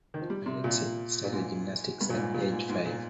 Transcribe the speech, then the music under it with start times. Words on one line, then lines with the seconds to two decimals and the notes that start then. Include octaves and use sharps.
Alexei started gymnastics at age five.
0.14 D#3
0.21 F3
0.30 G3
0.46 C3
0.64 A#2
1.24 A#2
1.32 G#2
2.01 G2
2.10 A#2
2.17 G#2
2.34 A#2
2.52 G#2
2.69 G#2
2.86 A#2